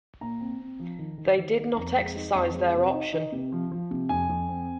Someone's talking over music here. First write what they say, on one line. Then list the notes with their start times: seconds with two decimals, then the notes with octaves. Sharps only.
They did not exercise their option.
0.21 A#2 A#5
0.40 C4
0.60 C4
0.80 F3
0.99 D#3
1.18 D#3
1.38 D#3
1.58 D#4
1.77 F2 A#5
1.96 G#3
2.16 D#4
2.35 F2
2.54 G#3
2.74 C3
2.93 D#4
3.13 D#4
3.32 C3
3.52 F3
3.71 F3
3.91 C3
4.09 F2 G#5
4.29 F2
4.49 C4